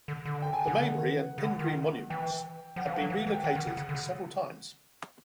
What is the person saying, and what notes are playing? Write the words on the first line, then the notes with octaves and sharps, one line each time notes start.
The Maybury and Pingree monuments have been relocated several times.
D3
D3
G5
G#5
F#5
C#3
F#5
D3
D#3
E3
C#3
D3 F#5
D#3
E3 G5
F3 F#5
E3 F5
F3 F#5
F#3
E3
E3
G5
E3 F#5
D#3
C#3
C#3
D3
C#3